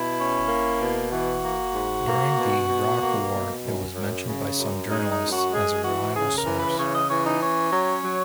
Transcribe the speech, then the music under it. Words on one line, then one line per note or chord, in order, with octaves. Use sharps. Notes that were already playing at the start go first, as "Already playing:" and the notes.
During the Iraq War, it was mentioned by some journalists as a reliable source.
Already playing: B2 E4
C#4
A#3
B2
E3 F#4
A#3
G#2
A#3
B2
B2
A#3
B2
F#2
F#2
C#3
F#2
G#3 D#4
D#4
F#2
F#4
G#3 G#4
E3 F#4
C#3 G#4
A#4
E3
B4
C#3 C#5
D#5
E3 C#5
D#4
C#4 C#5
F#3
F#3